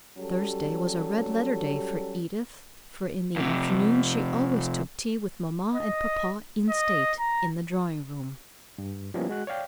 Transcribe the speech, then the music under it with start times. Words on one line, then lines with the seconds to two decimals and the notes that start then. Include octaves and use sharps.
Thursday was a red-letter day for Edith, for in the afternoon she always took tea with mamma and papa in state, in the drawing-room.
0.18 F#3 G3 C#4 G4 A4
3.36 F2 C3
5.74 D#5
6.69 D#5
7.19 A#5
8.78 G2
9.14 F3 G3 A#3 B3 C#4 E4
9.29 G#3 F#4 F#6
9.47 C#5 D5 F5 G5